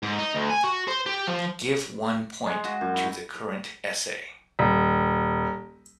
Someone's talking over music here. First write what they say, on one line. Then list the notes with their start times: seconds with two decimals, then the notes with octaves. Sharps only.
Give one point to the current essay.
0.03 G#2
0.18 D#4
0.35 D2
0.50 G#5
0.64 F#4
0.88 C5
1.06 G4
1.27 F3
2.47 G#3
2.64 F#4
2.81 F#2
2.94 E4
4.59 D#1